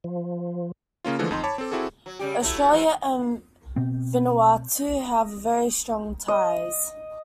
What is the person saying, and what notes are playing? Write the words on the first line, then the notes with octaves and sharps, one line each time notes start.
Australia and Vanuatu have very strong ties.
F3
C#3 A#3 C#4 F4
D3 E3 F3 G#3 A3
F2 D#4 C6
C#5 A5 B5 D6
C4 A4
C4 E4 F#4 G#4 A4
F#3
C#3 G3 G4
F#3 A3 E4
G#2 E3
B2 B3 C4
D#5